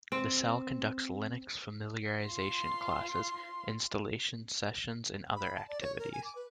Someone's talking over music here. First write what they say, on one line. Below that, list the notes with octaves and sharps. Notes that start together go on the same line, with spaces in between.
The cell conducts Linux familiarisation classes, installation sessions and other activities.
C4
F4 C6
B5
A5
D5
C#5
A#4
G#5
D6
B4